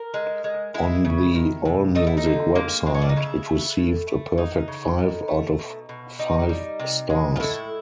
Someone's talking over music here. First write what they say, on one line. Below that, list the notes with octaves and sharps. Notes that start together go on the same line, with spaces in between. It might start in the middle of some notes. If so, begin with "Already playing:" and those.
On the AllMusic website, it received a perfect five out of five stars.
Already playing: A#4
G#3
G#3
G#3 E4
C#3
D#3
C3
A3 D#4
E4
D#4
D3
G#3 A#3
G#3 C4
C#4
D4
D#4
C#3 E4
A3
A2
A3
E3 D#4
C#3
A2
A3
B2
B2
G3 D#4
G3
C3
G#3
F4
A2 E4